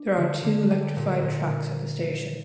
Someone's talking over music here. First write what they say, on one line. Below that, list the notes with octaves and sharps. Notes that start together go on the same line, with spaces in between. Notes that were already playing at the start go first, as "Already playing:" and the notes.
There are two electrified tracks at the station.
Already playing: D4
D3
D3
G3
A#2
A#2